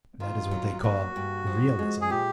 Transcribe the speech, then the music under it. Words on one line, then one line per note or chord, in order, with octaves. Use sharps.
That is what they call realism.
D#3 F4
F#3
A#3 F#4
G2
F3
G#3
G#4
A#2 G4